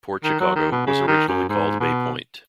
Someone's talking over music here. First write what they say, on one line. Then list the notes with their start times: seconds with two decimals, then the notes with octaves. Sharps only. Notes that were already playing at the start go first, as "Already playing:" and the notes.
Port Chicago was originally called Bay Point.
0.24 D#3
0.40 F#3
0.55 D#3
0.71 B2
0.86 C#3
1.08 D#3
1.28 F#2
1.49 G#2
1.80 B2